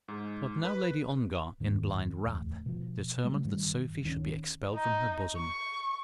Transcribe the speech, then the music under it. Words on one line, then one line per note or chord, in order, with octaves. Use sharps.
But now Lady Ongar, in blind wrath, determined that Sophie should be expelled from her bosom.
G#2
B4
D#1 G#2 D#3 A#3
D1 E2 A3
B2 F3
C#3 F#3 G3 A3
G2 D#3 G3
D1 D#3 C#4
D#4
C#6